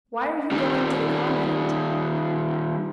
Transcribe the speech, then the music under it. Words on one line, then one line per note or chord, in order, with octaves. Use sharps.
"Why are you going to the convent?"
D#3 G3